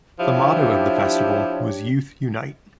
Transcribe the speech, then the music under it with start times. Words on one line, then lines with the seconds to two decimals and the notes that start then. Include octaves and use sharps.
The motto of the festival was: Youth Unite!
0.19 F3 D4 E4 G4 C#5